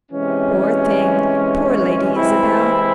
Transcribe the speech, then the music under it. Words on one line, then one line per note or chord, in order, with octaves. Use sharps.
Poor thing--poor Lady Isabel!
C3 E3 G#3 C#4
C3 E3 G#3 C4 E4